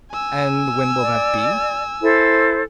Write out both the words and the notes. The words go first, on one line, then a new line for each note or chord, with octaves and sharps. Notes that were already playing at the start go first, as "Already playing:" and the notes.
"And when will that be?"
G#5 E6
D5
E4 A4 C5